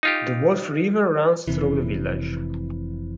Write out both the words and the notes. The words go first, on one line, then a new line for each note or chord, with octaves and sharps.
The Wolf River runs through the village.
D#4 F4 G4
F1 C3 E3